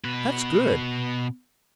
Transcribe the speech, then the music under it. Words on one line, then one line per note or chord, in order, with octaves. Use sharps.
That's good.
B2 B4